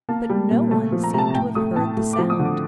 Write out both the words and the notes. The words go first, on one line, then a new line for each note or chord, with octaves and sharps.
But no one seemed to have heard the sound.
A#3 A5
G3
A#2
A3 A5
F3
A#5
C3 A5 A#5
A2 G5
A3 D#6
A2 A5
A3
D6
F3
D#6
D3
D6